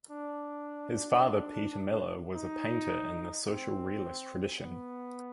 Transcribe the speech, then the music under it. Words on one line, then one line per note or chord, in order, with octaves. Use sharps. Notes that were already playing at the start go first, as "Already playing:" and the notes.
His father Peter Miller was a painter in the social realist tradition.
D4
D#4
C4
B3